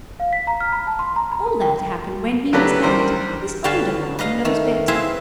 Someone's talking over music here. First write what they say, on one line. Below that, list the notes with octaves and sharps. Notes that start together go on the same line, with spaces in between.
"All that happened when he was eight; he's older now and knows better."
F5
B6
A#5
F6
B5
A5
C6
A#5
B5
A#4
G5
C#3 F#3 A3 D4 G4 B4
E2 G3 A#4 C5
D3 C#4 B4 F5 G5 A5
B4 D#5 F5 A#5
D#3 A3
C4 E4 G#4 B4 E5 F5